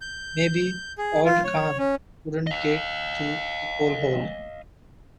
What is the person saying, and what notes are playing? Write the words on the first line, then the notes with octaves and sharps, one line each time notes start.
Maybe auld Khan wouldn't get through the coal-hole.
G6
G#4
F4
C#5
C#4
D#5 F5